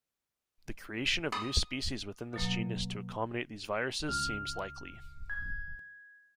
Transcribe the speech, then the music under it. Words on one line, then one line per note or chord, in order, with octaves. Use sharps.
The creation of new species within this genus to accommodate these viruses seems likely.
D#6
B2 F#3 A#3
C#2 F6
G#6